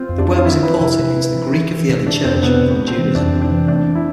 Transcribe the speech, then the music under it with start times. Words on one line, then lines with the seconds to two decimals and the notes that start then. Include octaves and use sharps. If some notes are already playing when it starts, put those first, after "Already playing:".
The word was imported into the Greek of the early Church from Judaism.
Already playing: C4 F4
0.09 F2
0.18 D4
0.28 C4
0.36 F4
0.44 F3 E4
0.63 F3 B4
0.81 C3 E4
0.99 C3
1.17 C4
1.35 F3
1.54 E3
1.70 E3
1.89 C3
2.07 C3 D4
2.25 F2 C4
2.43 C3 B3
2.61 C3
2.79 C3
2.88 C4
2.97 E3
3.15 F2 D4
3.33 C3
3.42 D4
3.51 E3
3.68 A3 D4
3.87 C4
3.95 E4